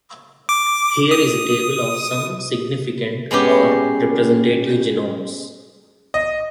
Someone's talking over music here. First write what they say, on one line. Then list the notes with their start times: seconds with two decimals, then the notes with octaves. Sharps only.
Here is a table of some significant or representative genomes.
0.49 D6
1.11 D#6
3.31 G#3 B3 C#4 G4
6.14 D#5